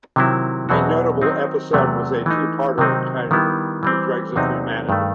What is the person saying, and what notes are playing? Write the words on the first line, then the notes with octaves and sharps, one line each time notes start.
A notable episode was a two-parter entitled "The Dregs of Humanity".
C3 D#3 F#3 C4 E4
E2 B2 F#3 C4 F#4
D#3 F#3 C4 D#4
E2 C3 F#3 A3
E3 A3 D#4
C3 D#3 F#3 C4 D#4
D#3 G3 B3 E4
E3 G3 C4
E2 C3 F#3 C4 D#4
G2 D#3 A3